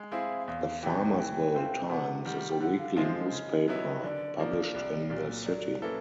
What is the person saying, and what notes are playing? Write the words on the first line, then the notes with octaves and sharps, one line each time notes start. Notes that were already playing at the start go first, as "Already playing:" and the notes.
The "Farmersville Times" is a weekly newspaper published in the city.
Already playing: G#3
C4 E4 G#4 F5
E2 F5
C3 E3 G5
E3
A3 C4 F4
C3 F#5
D#3 G3 F#5
G5
D3 F#5
F5
F3 G#3 C4 F4 E5
D#5
C#3
F#3 B3 E4
D3 D5
F3 A#3 D5
C2
A#2 F#3
F#3 D5
A#3 C#4 E4 A4 B4